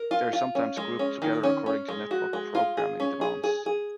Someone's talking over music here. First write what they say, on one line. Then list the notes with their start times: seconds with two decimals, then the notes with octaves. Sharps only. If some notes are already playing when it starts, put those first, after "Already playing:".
They are sometimes grouped together according to network programming demands.
Already playing: A#4
0.11 F4
0.33 F4
0.55 C#4
0.77 G#3
0.99 C#4
1.22 D#3
1.43 C#4
1.66 C#4
1.88 G#3
2.11 F#4
2.33 G#3
2.55 F4
2.77 G#4
3.00 C#4
3.21 G#4
3.44 G#4
3.66 G#4